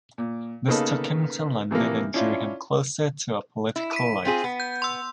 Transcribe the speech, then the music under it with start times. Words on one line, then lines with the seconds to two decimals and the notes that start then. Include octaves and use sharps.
This took him to London and drew him closer to a political life.
0.18 A#2
0.68 C#3 A#3 B3 D#4 A4 B4
1.71 C3 E3 F3 A#3
2.14 C#4 D4 E4 F4
3.76 E4
3.93 B6 D#7
4.25 C4 F4 G#4
4.44 B3
4.60 G6
4.82 C6 E6